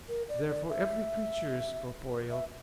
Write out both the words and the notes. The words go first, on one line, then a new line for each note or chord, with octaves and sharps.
Therefore, every creature is corporeal.
A#4
D5
D5
E5
E5